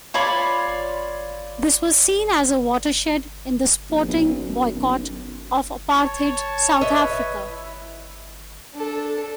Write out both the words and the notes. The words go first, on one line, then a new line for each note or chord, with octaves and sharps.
This was seen as a watershed in the sporting boycott of apartheid South Africa.
F4 C#5 D5 B5
A#1
B1
F#2
F#2
B1
C#5 A5
B4 D#5 E5
E4
D4 A4